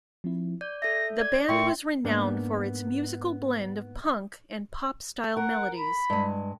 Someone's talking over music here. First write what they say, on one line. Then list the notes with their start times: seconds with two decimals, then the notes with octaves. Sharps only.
The band was renowned for its musical blend of punk and pop-style melodies.
0.24 F3 C4 E4
0.61 D5 G6
0.82 A4 E5 A#6
1.19 D5 G#6
1.49 A2 A3 A#4 E5 G5 C6 C#6
2.05 G#2 A#3 B3 D4
5.37 A#4 F#5
5.77 B5
6.10 G2 G#3